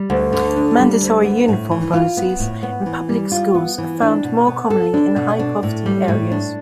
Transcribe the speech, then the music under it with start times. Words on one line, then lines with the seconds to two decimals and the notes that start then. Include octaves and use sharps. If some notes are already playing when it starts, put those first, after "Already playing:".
Mandatory uniform policies in public schools are found more commonly in high-poverty areas.
Already playing: G3
0.10 D2
0.33 D3
0.56 D4
0.79 G3
1.01 D2
1.24 B3
1.48 A2
1.71 E3
1.93 F4
2.17 B3
2.39 A2
2.63 B3
2.86 E3
3.09 G3
3.32 F4
3.55 B3
3.78 E3
4.02 D4
4.24 B2
4.47 B3
4.70 A4
4.94 D4
5.16 B2
5.39 D4
5.63 A2
5.86 G3
6.08 A2
6.32 D4